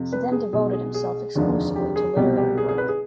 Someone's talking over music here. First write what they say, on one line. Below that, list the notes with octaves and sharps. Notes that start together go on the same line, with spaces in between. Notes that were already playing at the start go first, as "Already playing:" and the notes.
He then devoted himself exclusively to literary work.
Already playing: F2 C3 F3
B4
G#4
B1 B2 G#3 G#4
G#4
G#4
F1 D#2 D3 F3 G#3
G4
G#4
C2 B2 G3 G4
G4
G#4
G#4
B4
G#4